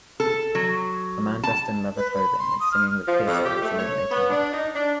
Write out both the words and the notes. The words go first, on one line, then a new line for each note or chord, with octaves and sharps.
A man dressed in leather clothing is singing with theater lights illuminating him.
A4
F#3
A5
B4
B5
C6
D#6
F6
F3
F2
G4
A3
C#5
B3
D4
D#4
D4